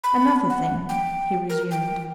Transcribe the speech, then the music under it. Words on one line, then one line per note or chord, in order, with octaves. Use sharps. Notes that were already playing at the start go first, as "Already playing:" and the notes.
"Another thing," he resumed.
B5
F#5
G5
A#4
G5